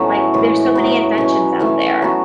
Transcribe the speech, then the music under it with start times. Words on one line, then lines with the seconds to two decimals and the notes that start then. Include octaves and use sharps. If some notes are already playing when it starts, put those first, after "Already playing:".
Like, there's so many inventions out there.
Already playing: A2 F#3 A3 B3 C#4 F#4
0.34 A2 E3 G#3
0.75 A2 F#3 B3
1.18 B2 F#3 C#4
1.59 E3 A3 C#4
2.02 F#3 B3 F#4